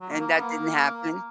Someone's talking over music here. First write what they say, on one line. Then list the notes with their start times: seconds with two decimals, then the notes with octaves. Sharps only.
And that didn't happen?
0.01 F#3
0.10 A#3
0.21 A#3
0.31 B3
0.41 A#3